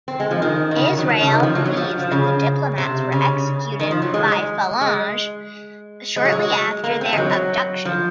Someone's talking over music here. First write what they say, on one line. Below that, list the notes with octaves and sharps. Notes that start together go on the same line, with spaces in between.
Israel believes that the diplomats were executed by Phalange shortly after their abduction.
C4
G#3
F3
D#3
D#3
C#3
D#3
F#3
D#3
C#3
D#3
F3
F#3
F#3
F3
F3
C#3
C3
C#3
D#3
F3
F#3
G#3
G#3
G#3
F#3
G#3
A#3
C4
G#3
F#3
F3